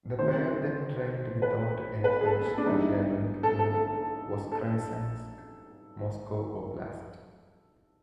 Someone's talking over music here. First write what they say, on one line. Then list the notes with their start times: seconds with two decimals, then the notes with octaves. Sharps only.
The pair then trained without a coach at a rink in Voskresensk, Moscow Oblast.
0.19 D#3 F#3 A3 C4 C5
1.42 B4
2.04 B4
2.21 G#4
2.25 A4
2.46 G#4
2.58 D4
2.66 E3 G3 B3 D#4
3.43 A4
3.59 A4
3.74 A4
4.52 A4